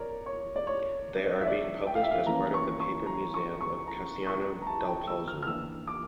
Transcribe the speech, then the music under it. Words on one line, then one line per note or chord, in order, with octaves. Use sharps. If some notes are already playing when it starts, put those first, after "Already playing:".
They are being published as part of "The Paper Museum of Cassiano dal Pozzo".
Already playing: A#4 C#5 D5
C#5
D5
C#5
E5
D5
G5
F5
E5
F5
E3 A#3 C#4 A#5
C#6
C#6
A#5
C#6
C#6
A#5
C#6
A#5
A5
G5
E6
F6
F6
E3 A#3 D4 E6
D6